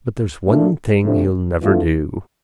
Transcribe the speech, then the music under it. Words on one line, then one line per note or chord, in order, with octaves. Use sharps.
But there's one thing he'll never do.
A#2 A3 D4 A4
C3 F3 A3 D4
E3 A3 D4 F4 A4